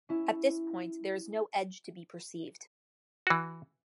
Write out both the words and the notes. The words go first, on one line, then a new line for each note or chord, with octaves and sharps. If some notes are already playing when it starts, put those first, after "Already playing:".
At this point, there is no edge to be perceived.
C#4 E4
E3 F#4